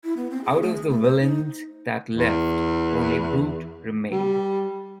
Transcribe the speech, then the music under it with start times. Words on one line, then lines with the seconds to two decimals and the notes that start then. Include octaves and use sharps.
Out of the villains that left, only Brute remained.
0.04 E4
0.17 B3
0.30 C4
0.44 G#4
0.62 A3
0.75 G#4
0.89 A3
1.03 C5
1.21 D#4
2.17 E2
4.11 G3